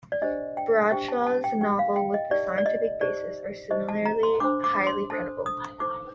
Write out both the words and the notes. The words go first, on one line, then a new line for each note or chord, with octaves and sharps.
Bradshaw's novels with a scientific basis are similarly highly credible.
D5
D4 G4 C5 D#5
G5
D4 G4 C5 G5
A5
A5
G5
D#4 G4 A#4 G5
F5
G5
D#5
D#4 G4 A#4 D5
D5
D#5
D#4 G4 C5 D5
D#4 G4 C5 D#5
A5
A#5
C6
D4 A4 C5 D6
D6
C6
D4 A4 C5 A5
D#6
D#4 A4 C5 D6